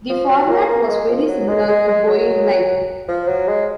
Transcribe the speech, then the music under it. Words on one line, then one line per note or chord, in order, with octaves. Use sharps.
The format was very similar to Going Live!
F3
F#3
A#3
A#3
G#3
F3
F#3
G#3
G#3
G#3
F#3
F3
F#3
G#3